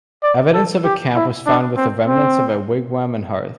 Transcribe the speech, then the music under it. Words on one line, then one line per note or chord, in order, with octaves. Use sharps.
Evidence of a camp was found with the remnants of a wigwam and hearth.
D5
A4
G4
E4
D4
C4
C4